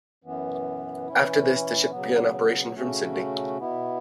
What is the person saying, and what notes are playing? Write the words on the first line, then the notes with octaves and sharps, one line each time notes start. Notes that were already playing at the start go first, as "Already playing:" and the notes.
After this, the ship began operation from Sydney.
F#2 E3 B3
E3 C#4 E4
C#3 F#3 B3
C#3 A3 C#4 F#4
B2 B3 E4